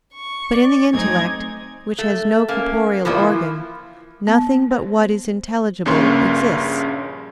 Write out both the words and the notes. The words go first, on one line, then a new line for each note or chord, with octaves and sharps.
But in the intellect, which has no corporeal organ, nothing but what is intelligible exists.
C#6
D5
F#3 A3 C4 D#4 D#5 G#5 G#6
A3
A#3 C#4
E3 F3 A#3 E4
B3
C5
A#1 G2 C#3 A#3 C#5 C6